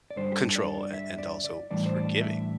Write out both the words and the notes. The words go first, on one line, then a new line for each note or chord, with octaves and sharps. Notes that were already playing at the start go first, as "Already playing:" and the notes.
control an and also forgiving.
D5
G2 D3 G3 C5
G4
A4
D5
D5
E5
D5
D5
A2 E3 G3 D4 D5
C5
D5
E5